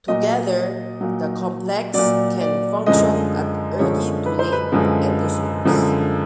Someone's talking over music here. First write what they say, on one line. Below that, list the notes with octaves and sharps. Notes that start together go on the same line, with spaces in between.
Together, the complex can function at early to late endosomes.
A#2 F#3 D#5
A#2 F#3
A#2 F#3 D5
D5
F#2 D3 F3 G#3 D#5
F#2 D3 F3 G#3 C#5
B4
C5
B4
F#2 D3 F3 G#3
F#2 D3 F3 G#3